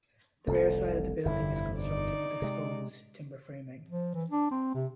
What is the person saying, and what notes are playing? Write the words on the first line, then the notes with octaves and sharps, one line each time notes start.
The rear side of the building is constructed with exposed timber framing.
F1 C2 A4
G1 F2 C3 E4
D#4 D5
C3 G#3
F3
E3
D4
C4
C3